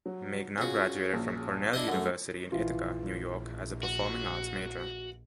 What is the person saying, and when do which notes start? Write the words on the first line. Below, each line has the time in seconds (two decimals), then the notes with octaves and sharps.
Megna graduated from Cornell University in Ithaca, New York, as a performing arts major.
0.06 F#3
0.58 C#3 F4 F#4
1.13 A#1
1.73 D4 E4 D#5
1.88 F#2 A3 F#5
2.52 A#1 E3 F4
3.83 F#4